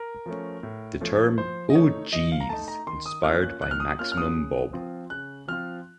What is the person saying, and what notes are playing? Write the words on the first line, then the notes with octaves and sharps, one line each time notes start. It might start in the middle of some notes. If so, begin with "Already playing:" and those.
The term "Oh Jeez..." inspired by Maximum Bob.
Already playing: A#4
F3 A3 C#4
A2
F3 A3 C#4
F3 C5
D#5
A3 D#4 C#5
F3 D#5
F5
A#5
A3 D#4 A5
A#5
D#3 C6
D#6
A#3 C#4 F4 F6
F#6
D#3 F#6
F6
D#6
A#3 C#4 F4 F6
F6
D#6
C#3
F3 C4 F4
C#3 F#6
F3 C4 F4 F6